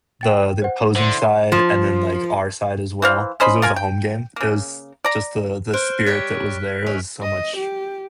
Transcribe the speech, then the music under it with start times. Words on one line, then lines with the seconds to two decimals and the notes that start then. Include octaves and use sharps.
the the opposing side, and then like our side as well, 'cause it was a home game. It was just the the spirit that was there was so much
0.21 G5 A6
0.62 C5 F#5
0.95 D3 E4 C5 C6
1.52 F3
3.02 E3 C5 F5
3.40 C#4 C5 D#5 B5
3.62 F4 A#4 G#5
3.76 G5
4.36 C#3 A#3
5.05 D5 A#5
5.74 C5 F6 F#6 D7
6.06 G3 C#5 F#6 B6
6.86 F#2 D#3 C#4
7.22 D#5
7.57 G4